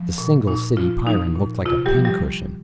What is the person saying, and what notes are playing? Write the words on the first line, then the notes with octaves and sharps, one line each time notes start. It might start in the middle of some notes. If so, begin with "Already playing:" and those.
The single city Pyrran looked like a pin-cushion.
Already playing: F3
A#2
A#2 D#4
F3 F4
F3 D#4
A#2
C3 F4
G3 G4
F3
G3 G4